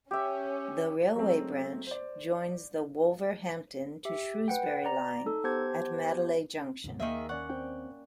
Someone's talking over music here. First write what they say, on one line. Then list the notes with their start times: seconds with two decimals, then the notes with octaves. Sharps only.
The railway branch joins the Wolverhampton to Shrewsbury line at Madeley Junction.
0.11 C#4 G4 E5
1.15 F#3 G#3 A3 C4
1.87 C5 D5
4.05 G4 E5
4.48 B4 F#5 G5
4.84 D5 A#5
5.26 D#4 A4
5.44 B3 G4 C5 A5 G#6
6.84 D2 G#2 C3
7.00 D#2 D#3 A#3 G#4 E5
7.29 C#4 D5 F#5 C#6
7.49 C4 G5